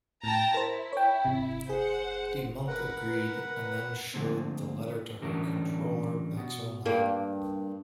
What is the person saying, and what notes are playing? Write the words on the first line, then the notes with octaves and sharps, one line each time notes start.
De Muncke agreed and then showed the letter to her controller Maxwell Knight.
A2 G5 A5 A#5
E4 A#4 C5
C#5 G5
G#1 C3
G#4 C5 F#5
A#4 B4 F#5
D2 G#2 D3 F3 A#3 C4
A2 D3 E3 G3 C#4 A#4
B2
G2 A#3